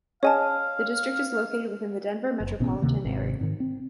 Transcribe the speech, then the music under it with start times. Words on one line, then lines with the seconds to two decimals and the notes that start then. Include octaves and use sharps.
The district is located within the Denver metropolitan area.
0.23 C#4 G#4 C#5 D#5 F5 G#5 A5
2.40 F#1
2.60 A1 B2 B3 C#4
2.82 D2 C3 D#3 A#3
3.04 G#1 C3
3.41 G#2 D#3
3.60 C4